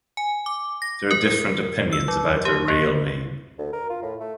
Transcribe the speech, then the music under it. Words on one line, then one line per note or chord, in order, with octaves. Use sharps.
There are different opinions about her real name.
G#5
D6
A#6
A#4
E6
F#3
G4
A#3
D2
A#4
F4
A2
A3